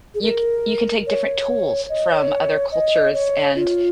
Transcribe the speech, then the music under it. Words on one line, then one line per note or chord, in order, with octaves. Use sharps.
you c you can take different tools from other cultures, and
G#4
A#4
C#5
D#5
C#5
D#5
C#5
F4